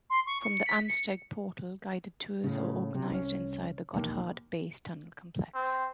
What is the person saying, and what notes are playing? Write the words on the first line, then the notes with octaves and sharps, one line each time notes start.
From the Amsteg portal, guided tours are organised inside the Gotthard Base Tunnel complex.
C6
C#6
C#7
B6
C#7
A2 C#3
C3
C2 E3 C#4
E1 A#1 D#2 A#3
C4